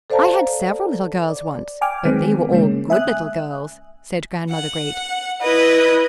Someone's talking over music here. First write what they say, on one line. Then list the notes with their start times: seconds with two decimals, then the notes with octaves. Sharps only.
"I had several little girls once, but they were all good little girls," said Grandmother Great.
0.10 A4 C5 D5 F5 A5 A#5
1.29 D5
1.81 G5 G#5 D6 F6
2.05 D#3 F#3 G#3 B3 C4
2.52 C#3 G#3 A#3 C#4
2.90 E5 G#5 D#6 F#6
4.50 F#5
5.41 E4 B4 D#5